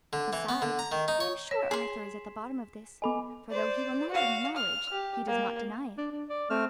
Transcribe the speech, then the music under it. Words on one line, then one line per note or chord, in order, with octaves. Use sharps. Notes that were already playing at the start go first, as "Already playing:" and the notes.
Besides, I am sure Arthur is at the bottom of this, for though he will not acknowledge, he does not deny it.
D3
E3
B3
D3
A#5
D#3
D#4
C#5
C#5 B6 E7
G#4 C6
B3 A4 D#5 G#5 B5 D6
C5 D5
F#4 F5
F6
G4
A#3
D4
D4
D5
A3 C4 F6